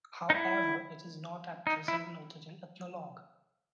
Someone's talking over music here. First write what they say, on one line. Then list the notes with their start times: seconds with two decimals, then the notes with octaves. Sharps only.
However, it is not at present noted in "Ethnologue".
0.30 D#4
0.35 E4
1.67 D#4
1.88 E4